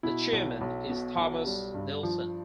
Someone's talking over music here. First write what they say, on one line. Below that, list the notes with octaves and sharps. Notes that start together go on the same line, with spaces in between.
The chairman is Thomas Neelsen.
B2 E4
B1
B1
B2
B1
G3
G2
F3